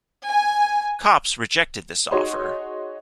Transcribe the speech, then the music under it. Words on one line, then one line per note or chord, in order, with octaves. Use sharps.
Copps rejected this offer.
G#5
D#4 F#4 G#4 C#5 D#5 C6